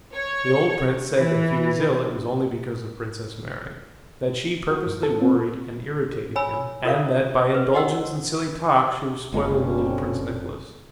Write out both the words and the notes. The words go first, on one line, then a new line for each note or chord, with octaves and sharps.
The old prince said that if he was ill it was only because of Princess Mary: that she purposely worried and irritated him, and that by indulgence and silly talk she was spoiling little Prince Nicholas.
C#5
E3
F#4
G2
A4
C4
C#5 G#5 B5 E6
F4 A4 A#4 D5 E5 F5
B4 C5
F#4 G4 D#5 F#5 E6
F#1 G2 B2 D3 G#3 A#3 C#4 F4
C4 A4